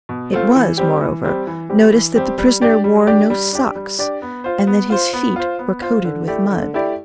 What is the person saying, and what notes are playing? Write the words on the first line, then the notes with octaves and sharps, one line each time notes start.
It was, moreover, noticed that the prisoner wore no socks, and that his feet were coated with mud.
B2
A3 C4 F4
E3
G3 C4 G4
E3
G3 C4 G4
E3
G3 C4 G4
E3
G3 C4 G4
G3
D4 G4 D5
G3
D4 G4 D5
G3
D4 G4 D5
G3
D4 G4 D5
B3
F4 C5
B3
F4 C5
B3
F4 C5
B3
F4 C5
D3
A3 E4 G4 D5
D3
A3 E4 G4 D5